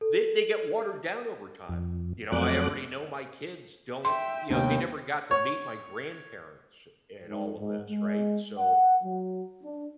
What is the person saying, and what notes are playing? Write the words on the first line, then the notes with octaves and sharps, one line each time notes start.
they they get watered down over time, you know, I already know my kids don't You know, they never got to meet my grandparents and all of this, right? So,
A4
F2
F2 F#3 A3 C4 D6 F#6
E5 G5 C6
D#2 C3 G#3 B3 D4 G5
C#5
G#2
G#2
G#3
F#5
F#3
D4